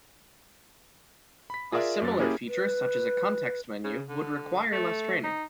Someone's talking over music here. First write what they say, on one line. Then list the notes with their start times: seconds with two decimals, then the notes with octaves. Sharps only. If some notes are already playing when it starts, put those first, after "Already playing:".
A similar feature such as a context menu would require less training.
1.50 B5 B6
1.72 F4 G#4 A#4 D5 E5
2.02 F#2 F#3 A6
2.19 A#3 C#4 E4 G4 G#4
2.48 B4
3.84 C#3
4.09 D3
4.72 A3
5.24 D#4